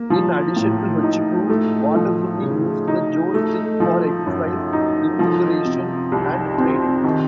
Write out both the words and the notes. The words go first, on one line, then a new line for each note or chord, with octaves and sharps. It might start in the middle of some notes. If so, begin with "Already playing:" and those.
In addition to hocchiku, Watazumi used the Jo stick for exercise, invigoration, and training.
Already playing: A#3
F3
A2
D#4
A3
F3
C#3
D#4
A3
F3
F#2
D#4
F3
C3
C2
C4
D#3